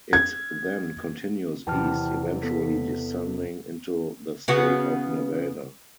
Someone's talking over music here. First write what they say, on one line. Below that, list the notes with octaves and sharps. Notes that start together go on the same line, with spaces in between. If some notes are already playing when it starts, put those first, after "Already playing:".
It then continues east, eventually descending into the state of Nevada.
G#6
E2 C3 G5 A5 F6
B3 A4 B6
C#3 B3 F#4